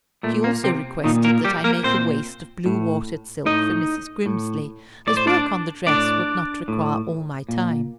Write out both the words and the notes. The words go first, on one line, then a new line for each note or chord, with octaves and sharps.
She also requested that I make a waist of blue watered silk for Mrs. Grimsly, as work on the dress would not require all my time.
A#2 A3
A#3
C3 C4
A#2 D#3 D#4
A#3 A#4
G3 G4
A#3 A#4
A#2 C4 C5
A2
A2 D#4 D#5
A2
A2 D5
C5
D4 D5
A2 D4 D5
A2
A#2